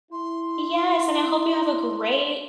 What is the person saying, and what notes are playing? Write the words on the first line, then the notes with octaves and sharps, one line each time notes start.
Yes, and I hope you have a great
E4 C6